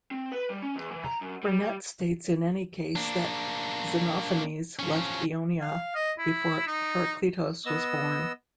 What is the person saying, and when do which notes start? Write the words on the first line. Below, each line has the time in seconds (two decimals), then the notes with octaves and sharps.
Burnet states in any case that ... Xenophanes left Ionia before Herakleitos was born.
0.11 C4
0.32 B4
0.50 G3
0.62 C#4
0.75 E2
0.91 E3
1.04 A#5
1.21 F#2
1.43 G3
1.60 G3
2.96 A#3 D4
4.79 F3 C#4
5.61 F5
5.95 D#5
6.19 E4
6.67 D#4
7.66 B3 D#5 E6